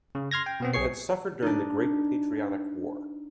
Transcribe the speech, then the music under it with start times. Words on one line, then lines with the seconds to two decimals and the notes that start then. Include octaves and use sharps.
It had suffered during the Great Patriotic War.
0.15 C#3
0.31 C6 F6 G#6 A#6
0.46 G5
0.60 B2 B3 C4
0.74 B1 G#4 C#5 C#6 C7
1.42 D4 D#4